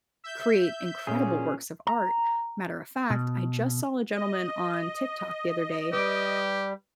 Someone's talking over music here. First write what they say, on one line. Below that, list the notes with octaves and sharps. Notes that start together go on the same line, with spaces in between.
create incredible works of art. Matter of fact, I just saw a gentleman on TikTok the other day
E5 G6
A#2 C#4 G#4
A#5
B2
D#5
G3 G4 B4 D6 D7